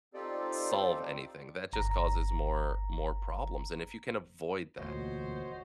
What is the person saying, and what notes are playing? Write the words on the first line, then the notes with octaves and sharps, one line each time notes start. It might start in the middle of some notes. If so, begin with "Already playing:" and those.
solve anything. That just causes more more problems, and if you can avoid that,
C4 D#4 F4 G4 A4 D5
G1 A#5
E1 D2 A#2 F#4 C5 C#5 D#5